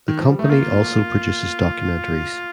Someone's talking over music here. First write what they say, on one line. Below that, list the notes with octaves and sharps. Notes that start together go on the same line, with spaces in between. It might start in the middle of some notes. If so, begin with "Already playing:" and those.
The company also produces documentaries.
D#3
F3
G3
A3 D#4
A#3 F4